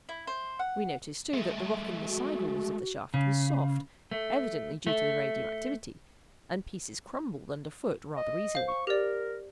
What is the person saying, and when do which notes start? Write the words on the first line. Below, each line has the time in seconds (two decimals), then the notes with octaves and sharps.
We noticed too that the rock in the side walls of the shaft was soft, evidently due to the radioactivity, and pieces crumbled under foot rather easily.
0.09 E4
0.27 C5
0.59 F#5
1.33 G#3 A3
2.06 F#4
3.14 C#3
4.11 A3
4.87 A3
8.17 D#5
8.55 C5 F5
8.68 C#6
8.87 G4 A#4 D5